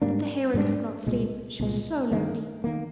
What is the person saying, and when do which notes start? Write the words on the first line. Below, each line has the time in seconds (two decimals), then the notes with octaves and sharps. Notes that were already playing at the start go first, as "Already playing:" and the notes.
But the Heron could not sleep, she was so lonely.
0.02 G#2 G3 A#3 D4
0.54 G#2 G3 A#3 D4
1.06 C2 A#2 G#3
1.60 C2 A#2 G#3
2.11 G2 D#3 A#3
2.64 D#3 A#3